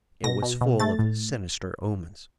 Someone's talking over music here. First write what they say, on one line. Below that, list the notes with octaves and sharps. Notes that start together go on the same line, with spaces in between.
It was full of sinister omens.
B2 A#6
B2
B2
A3 A6
A2